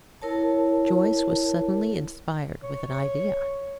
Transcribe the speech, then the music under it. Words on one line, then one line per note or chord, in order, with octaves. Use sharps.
Joyce was suddenly inspired with an idea.
E4 A#4 C#5 A5
C#5